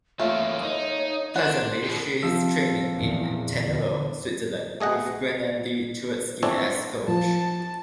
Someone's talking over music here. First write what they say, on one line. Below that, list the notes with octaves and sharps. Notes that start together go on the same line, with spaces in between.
Presently, she is training in Tenero, Switzerland, with Guennadi Touretski as coach.
E3 A3 A#3 F4 C#5
D#4
D4 C5 F#5
G4 A#4
C3 F3 E6
E2 A#2
E2 D3
A3 G#4 D#5 F#5 G5
E3 F3 C4 D4 A4 C#5
F3 A5